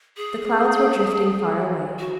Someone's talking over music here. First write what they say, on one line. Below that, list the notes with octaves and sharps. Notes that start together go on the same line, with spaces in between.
The clouds were drifting far away.
G#4
F#4